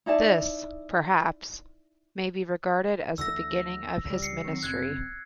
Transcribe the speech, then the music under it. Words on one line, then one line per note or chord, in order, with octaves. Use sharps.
This, perhaps, may be regarded as the beginning of his ministry.
D#4 E4 D5 A5
D2 D3 E3 E6 A#6
C#2 G3
C7 C#7
D#3 F#3 C4
F#1 C4 F#6 G#6